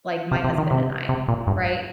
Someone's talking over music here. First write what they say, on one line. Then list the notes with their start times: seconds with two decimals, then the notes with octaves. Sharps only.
like my husband and I, right?
0.31 C3
0.44 C3
0.58 D#3
0.71 C3
1.09 C3
1.28 A#2
1.47 G2